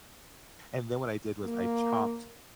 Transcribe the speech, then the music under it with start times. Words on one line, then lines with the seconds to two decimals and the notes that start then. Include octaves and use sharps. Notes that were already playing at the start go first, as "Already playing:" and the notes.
And then what I did was I chopped
1.45 A#3